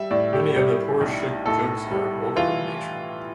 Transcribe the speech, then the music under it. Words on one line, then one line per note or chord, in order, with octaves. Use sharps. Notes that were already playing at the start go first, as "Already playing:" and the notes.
Many of the Poruchik jokes are vulgar in nature.
Already playing: G3 E5
A2 D5
G4
G3 G4
B1
A2 A4
G3
E3 F4